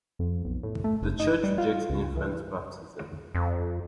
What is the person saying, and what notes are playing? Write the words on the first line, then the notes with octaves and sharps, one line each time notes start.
The church rejects infant baptism.
F2
B1
A2
A3
F#1
D#4
G3
F4
C#2
E3
F2